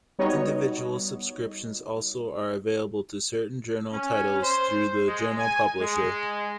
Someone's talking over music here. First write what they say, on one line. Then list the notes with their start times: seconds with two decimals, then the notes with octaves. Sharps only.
Individual subscriptions also are available to certain journal titles through the journal publisher.
0.19 G3 B3 D#4 F#4 C#5 D#5
3.92 C#4
4.42 C5
5.07 G#3
5.38 G#5
5.80 G#3